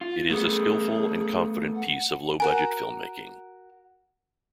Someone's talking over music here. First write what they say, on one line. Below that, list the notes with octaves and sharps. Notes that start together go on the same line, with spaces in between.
It is a skilful and confident piece of low budget filmmaking.
F4
A3 B3 G#4
F#5
F#4 A#4 F#5 G#5